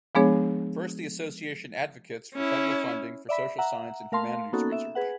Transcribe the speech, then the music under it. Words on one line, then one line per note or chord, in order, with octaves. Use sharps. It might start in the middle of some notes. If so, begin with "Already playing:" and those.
First, the association advocates for federal funding for social science and humanities research.
F3 G#3 B3 D4 G#4 C#5
C#4 E4
D5 E5 B5 B6
E5 F#5 A#5
A3 A#4 F5 A5 C6
A#3 B3 C#4 D#4 F#4 A4
E5
G#4 B4 F#5